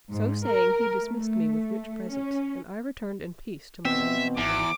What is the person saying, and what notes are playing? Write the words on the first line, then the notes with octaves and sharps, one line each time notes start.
So saying he dismissed me with rich presents, and I returned in peace to my own house.
G#2
A#4
A3
C#4
B2 C4 E5
G#1 E2 D6